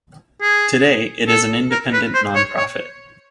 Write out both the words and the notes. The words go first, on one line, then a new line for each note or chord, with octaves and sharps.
Today, it is an independent non-profit.
G#4
A4
A#4
B4
C5
C#5
C#5